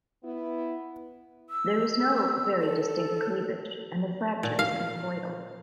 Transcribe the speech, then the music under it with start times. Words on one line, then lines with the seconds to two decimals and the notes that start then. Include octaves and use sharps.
There is no very distinct cleavage and the fracture is conchoidal.
0.24 B3 E4
1.50 E6
2.60 A4
4.43 A#2
4.59 F5